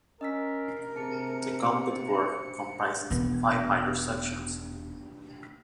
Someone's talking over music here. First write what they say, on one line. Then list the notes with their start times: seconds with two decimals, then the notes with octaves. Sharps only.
The complete work comprises five major sections.
0.21 C#4 A#4 D#5 E6 B6
0.96 C3 G#4 A5 C#7
1.89 A#3 G4 C5
3.10 E1 B3